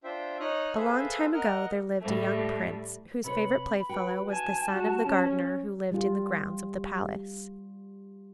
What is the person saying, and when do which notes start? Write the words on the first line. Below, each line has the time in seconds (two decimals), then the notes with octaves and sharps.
A long time ago there lived a young prince whose favourite playfellow was the son of the gardener who lived in the grounds of the palace.
0.04 D4 F4 C5 E5 G5
0.40 D#4 C#5 D#5 D#6 F6 F#6
0.76 G#4 A4 B4 C5 E5 F5
1.33 A#4 D#5 F#5 F6
2.00 A2 G3 A3
3.24 C3 B4 C#5 B5
3.89 F#4 B4 G5
4.30 G#5 A5
4.70 G3 F#4
5.04 C#4
5.92 G3 F4